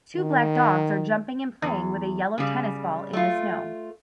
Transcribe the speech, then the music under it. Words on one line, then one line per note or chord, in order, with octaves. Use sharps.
Two black dogs are jumping and playing with a yellow tennis ball in the snow.
D#3
E2
C#3 G3
A3 F4